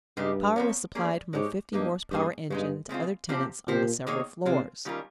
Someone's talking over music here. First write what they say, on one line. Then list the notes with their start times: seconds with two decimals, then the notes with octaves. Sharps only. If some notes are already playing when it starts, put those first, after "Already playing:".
Power was supplied from a fifty-horse-power engine to other tenants on the several floors.
0.17 G2 C#3 G#3 D#4 G4
0.56 F3 C4 D#4 A#4 C#5
0.95 G3 A#3 C#4 G#4
1.33 G#2 G#3 D#4 G4 C#5
1.72 G2 F3 A#3 D#4
2.11 G2 D#3 A#3 D#4 G#4
2.50 G2 C#3 G#3 D#4
2.89 C#3 G#3 C4 F4
3.29 C3 F3 C4 G4
3.68 A#2 F3 C4 G4 C5
4.07 D#3 A#3 D#4 G#4 C#5
4.46 C3 G#3 C4 F4 C5
4.85 D#3 G3 C#4 F4 A#4